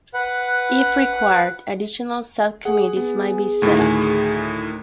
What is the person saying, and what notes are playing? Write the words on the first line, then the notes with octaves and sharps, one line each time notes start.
If required, additional sub-committees may be set up.
B4 F#5
G#4 F#5
B3
D2 A2 D#3